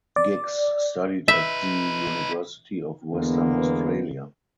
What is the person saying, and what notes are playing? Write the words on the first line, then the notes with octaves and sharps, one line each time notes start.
Giggs studied at the University of Western Australia.
D5
D#4 B4 E5
E2 D3 G#3 A#3 B3